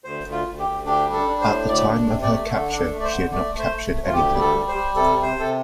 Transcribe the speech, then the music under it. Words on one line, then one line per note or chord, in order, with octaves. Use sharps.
At the time of her capture she had not captured anything.
D2 C5
D2
F4
D2
G4
D2
D4 G4
G3
A4
D4
C5
A2
D2 D5
D4
C3
D5
A3
D3 A4
D4
A4
A3
D5
C5
D3
A3 D5
A3
C5
A3
D2
F4
D2 G4
G3
A4
G3
C5
G3
C3 A4
C3
C5
C3 A4